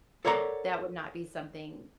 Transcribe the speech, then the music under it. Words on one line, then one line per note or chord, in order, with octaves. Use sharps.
that would not be something
A4 A#4 C#5 D5 F#5 A#5